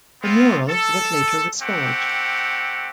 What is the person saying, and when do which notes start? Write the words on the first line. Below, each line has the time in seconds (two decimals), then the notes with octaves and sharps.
The mural was later restored.
0.23 B3 C4 F4
0.69 A4
1.62 A3 C4 G4 F#5